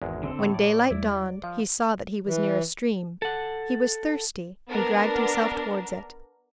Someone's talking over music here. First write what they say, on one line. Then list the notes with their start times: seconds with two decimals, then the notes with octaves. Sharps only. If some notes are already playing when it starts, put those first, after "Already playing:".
When daylight dawned he saw that he was near a stream; he was thirsty, and dragged himself towards it.
0.02 G#1 E2 G#3
0.23 D3 C4 A4
0.39 A2 C#5
0.54 D5
0.91 E2 G3 E4
1.44 F3 F5
2.27 E3
3.22 A4 F#5
4.71 B3 D4 A#4